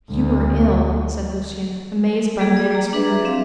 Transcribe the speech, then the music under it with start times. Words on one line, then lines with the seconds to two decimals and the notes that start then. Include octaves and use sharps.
"You are ill!" said Lucian, amazed by the man's fury.
0.11 D2
2.39 G3 A#3 G#4
2.57 G#4 D5
2.75 A#5
2.93 D4 G#4 B4 E5
3.25 C4 E5 F5